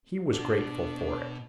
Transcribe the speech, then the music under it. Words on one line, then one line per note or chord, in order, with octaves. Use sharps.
He was grateful for it.
B2 B3 D4